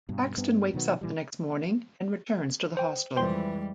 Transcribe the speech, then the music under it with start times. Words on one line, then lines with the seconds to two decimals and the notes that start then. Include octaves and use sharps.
Paxton wakes up the next morning and returns to the hostel.
0.09 G2 B2
0.37 G2 B3 C4
0.74 B2 D#3 F#3 B3
1.01 A#2 E3 G3
2.77 C5 G5
3.16 F2 E3 G3 G#3 C5 G5 C6